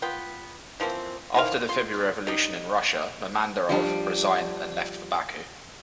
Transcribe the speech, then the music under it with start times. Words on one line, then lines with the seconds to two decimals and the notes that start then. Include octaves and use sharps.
After the February Revolution in Russia Mehmandarov resigned and left for Baku.
0.02 B3 F4 G5
0.80 E3 F3 A#3 C4
1.35 D#3 E3 C5 F5
1.69 F4 C6
2.27 G3 D#4
3.69 F3 G3 D4